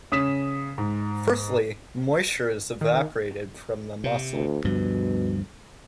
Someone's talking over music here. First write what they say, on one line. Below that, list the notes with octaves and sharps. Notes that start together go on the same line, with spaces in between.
Firstly, moisture is evaporated from the muscle.
C#3 D#6 B6 E7
G#2
D#3
C3
D2
D2 G2 B2 F3